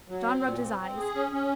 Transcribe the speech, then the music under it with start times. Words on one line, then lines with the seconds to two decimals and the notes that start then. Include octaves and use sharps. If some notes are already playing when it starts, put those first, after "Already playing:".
John rubbed his eyes.
0.08 F#3
0.26 C4
0.44 A#2
0.61 C4
0.79 C4
0.97 G#4
1.14 C#4
1.32 C#4